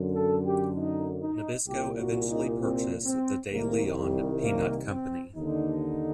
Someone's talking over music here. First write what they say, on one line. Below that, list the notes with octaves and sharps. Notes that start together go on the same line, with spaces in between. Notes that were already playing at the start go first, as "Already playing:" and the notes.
Nabisco eventually purchased the De Leon Peanut Company.
Already playing: F#2 D3
A4
G4
D#4
D#4
C2 A#2 G4
F#4
D#4
C4
C4
C2 C3 D#3 A#3
G3
A#3
C4
D#2 D3 D#4